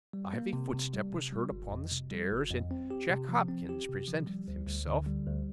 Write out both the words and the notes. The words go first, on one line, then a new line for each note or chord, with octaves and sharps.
A heavy footstep was heard upon the stairs, and Jack Hopkins presented himself.
G3
A#3
C3
C3
G3
C3
G3
G1
F2
C3
G3
G1
F2
C4
G4
C3
F3
C4
G4
C3
F3
G3
D2
D2
D3
G3
D2